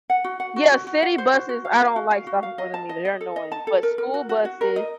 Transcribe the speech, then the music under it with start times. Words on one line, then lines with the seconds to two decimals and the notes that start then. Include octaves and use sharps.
Yeah, city buses, I don't like stopping for them either. They're annoying, but school buses
0.10 F#5
0.24 F#4
0.40 F#5
0.56 F#4
0.72 F#4
0.87 F#4
1.02 F#5
1.18 C5
1.34 F#4
1.49 F#4
1.65 F5
1.81 F5
1.96 F#4
2.11 F5
2.27 F#4
2.43 F5
2.58 D#5
2.74 A5
2.89 D#5
3.05 D#5
3.21 A4
3.36 D#5
3.52 A5
3.67 A4
3.83 A#4
3.98 A#4
4.14 F#4
4.29 F#4
4.45 F#4
4.61 A#4
4.76 D#5